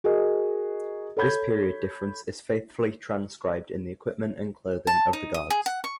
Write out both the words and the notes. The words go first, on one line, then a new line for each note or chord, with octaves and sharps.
This period difference is faithfully transcribed in the equipment and clothing of the guards.
F#4 G#4 A#4 D#5
A4 C#5 B5 G6 G#6
A5
D#4
D#6
G#4
F#5
C#6